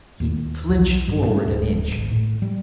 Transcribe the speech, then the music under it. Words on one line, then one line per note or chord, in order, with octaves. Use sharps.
He flinched forward, an inch.
D#2
B1
G2
C#4
D1
G#1
A2
G3